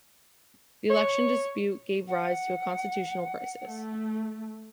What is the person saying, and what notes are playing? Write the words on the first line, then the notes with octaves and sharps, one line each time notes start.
The election dispute gave rise to a constitutional crisis.
C#5
F#5
A3